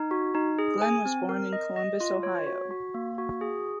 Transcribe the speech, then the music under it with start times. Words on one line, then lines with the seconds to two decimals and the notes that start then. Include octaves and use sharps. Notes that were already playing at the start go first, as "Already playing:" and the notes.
Glenn was born in Columbus, Ohio.
Already playing: D#4
0.11 F#4
0.35 D#4
0.59 G#4
0.82 G#5
1.06 C4
1.29 A#4
1.53 D#5
1.76 D#5
2.00 F4
2.23 C#5
2.47 F#4
2.71 F#4
2.94 A#3
3.18 F#4
3.41 G#4